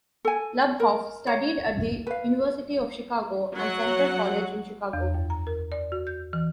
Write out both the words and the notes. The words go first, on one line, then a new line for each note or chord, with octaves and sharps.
Luboff studied at the University of Chicago and Central College in Chicago.
A4 G#5
A#4
C#5
B4 F5
F#3 F#5
E2
F#2
A#5
A#4
D5
F#4
G6
E3